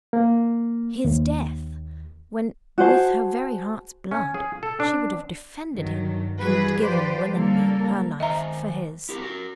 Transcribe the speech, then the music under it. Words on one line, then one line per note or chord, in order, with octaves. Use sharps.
His death! when with her very heart's blood, she would have defended him and given willingly her life for his.
A#3
D#2
F#4 G#4 C5 A5
C#4
G#4
A4
D4
G2 D#3 F#3
E3 G3 F#4 G#4 B4
F3 G4 B4 C5 D5
C#3 G3 A#3 A4 A#4
D#3 C5 D#5 E5 A#5
E4 G4 A#4
F#4 A#4